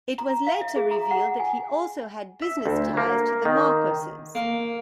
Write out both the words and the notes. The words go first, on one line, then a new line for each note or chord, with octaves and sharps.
It was later revealed that he also had business ties to the Marcoses.
A#5
F5
E5
G#4
A#5
F#5
G#5
E5
D2
A#3
D#3
A#3